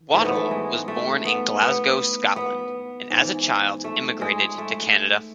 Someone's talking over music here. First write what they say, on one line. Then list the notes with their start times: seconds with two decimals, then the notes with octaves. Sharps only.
Waddell was born in Glasgow, Scotland, and as a child immigrated to Canada.
0.14 G#2 E3 A3
0.25 B3
0.36 A3
0.51 G#3
0.88 A3
1.25 B3
1.62 B3
2.36 B3
3.10 G#2 E3
3.84 A3
4.21 G#3
4.58 A3